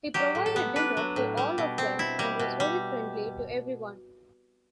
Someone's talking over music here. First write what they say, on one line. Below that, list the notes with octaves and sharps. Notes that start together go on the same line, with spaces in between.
He provided dinner to all of them and was very friendly to everyone.
F#3 G4
A2
A4
B3
D4 B4
F#3
A2
G3
B2
C4
E4
G3
B2
G3